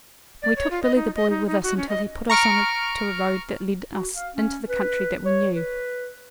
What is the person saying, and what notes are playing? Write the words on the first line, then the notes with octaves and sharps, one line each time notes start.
We took Billy the Boy with us until he put us on to a road that led us into the country that we knew.
D5
C#5
F4
D#5
D#4
D#5
D#4
D#4
F#4
C#4
D#5
A#5 C#6 F6 D7
F#4
F5
C#4
B4
C#5
B4